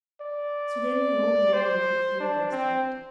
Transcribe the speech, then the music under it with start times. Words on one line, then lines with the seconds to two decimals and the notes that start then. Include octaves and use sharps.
So then the old man made a clean breast of it.
0.21 D5
1.53 C5
2.20 D4
2.52 C4